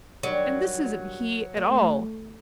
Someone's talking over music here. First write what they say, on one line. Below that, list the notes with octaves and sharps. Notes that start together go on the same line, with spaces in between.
And this isn't he at all!
D#3 F#3 G3 D4
A3